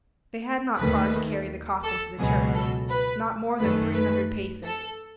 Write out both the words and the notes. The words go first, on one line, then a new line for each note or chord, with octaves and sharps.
They had not far to carry the coffin to the church, not more than three hundred paces.
D#2 D#3 A3 B4
A4
C#2 B2 F#3 G#4
A4
B4
F#2 D#3 A3 B4
B4
A4